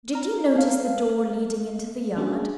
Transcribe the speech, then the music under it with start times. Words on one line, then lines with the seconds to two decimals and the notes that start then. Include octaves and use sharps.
"Did you notice the door, leading into the yard?"
0.14 A#5 F6
0.56 A4 F5
2.15 G3 A#3 C#4 D4 F#4 G#4